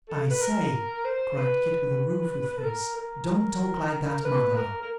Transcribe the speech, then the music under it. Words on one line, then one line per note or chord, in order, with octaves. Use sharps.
'I say,' cried Kit with a rueful face, 'don't talk like that, mother.'
A4
B4
A#4
C5
B4
A4
A#4
A#4
B4
A#4
A#4